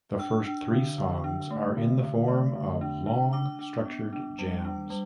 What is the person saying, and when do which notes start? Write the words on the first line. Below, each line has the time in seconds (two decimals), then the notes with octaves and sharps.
The first three songs are in the form of long, structured jams.
0.19 D4 E6
0.46 D4
0.71 D3
0.98 D3
1.24 D4
1.51 A3
1.77 D3
2.03 D3
2.28 A3
2.55 D3
2.81 D4
3.07 D4
3.33 D4 D6
3.59 D4
3.85 B3
4.13 D4
4.39 G3
4.65 D4
4.90 G3